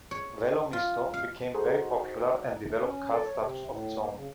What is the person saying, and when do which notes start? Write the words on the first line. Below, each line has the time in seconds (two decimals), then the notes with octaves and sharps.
"Velo misto" became very popular and developed cult status of its own.
0.11 C#5
0.73 F4
1.14 F5
1.54 D#4 F#4 G#4 A4 C5
2.80 C#4
3.12 A4
3.26 C#5
3.41 C3
3.69 A2
3.99 A#3
4.15 C#3